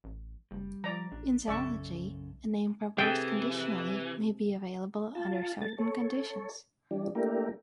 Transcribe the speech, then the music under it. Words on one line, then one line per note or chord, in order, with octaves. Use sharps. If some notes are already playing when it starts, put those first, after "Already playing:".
In zoology, a name proposed conditionally may be available under certain conditions.
A1
F#1 G3
F3 D5 A#5
A#1 D4
B1 F#2 C#3 A4 D5 E5 C#6
C3 E3 G#4 A4 E5 G5
F4 A5
A3 A6
A4 C#5
E3 G3 D4
A3 A#3 D4 E4 G4 A#4